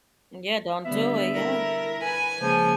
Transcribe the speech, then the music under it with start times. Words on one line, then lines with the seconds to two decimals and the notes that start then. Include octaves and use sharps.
Yeah, don't do it. Yeah.
0.85 D3 G3 B3 E5
1.33 E4 A4 A#4
2.03 B4 G#5
2.41 C#3 F3 G#3 A#3